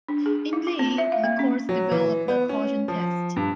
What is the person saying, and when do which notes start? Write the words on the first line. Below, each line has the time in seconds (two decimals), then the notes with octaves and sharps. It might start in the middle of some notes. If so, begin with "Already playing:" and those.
In "Lee" the Court developed the coercion test.
0.09 D4
0.26 G#4
0.53 E4
0.67 F4
0.79 C4
0.98 E5
1.12 F5
1.24 A#3
1.39 C#4
1.69 F#3
1.91 E3
2.28 B3
2.49 C#4
2.88 F3
3.36 G2